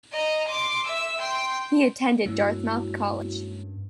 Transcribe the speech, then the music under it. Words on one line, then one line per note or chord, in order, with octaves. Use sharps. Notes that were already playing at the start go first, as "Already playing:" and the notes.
He attended Dartmouth College.
D#5 A#5
C6 D6
E5 E6
G5 C6
G2 G#3 A#3 C#4 E4 F#4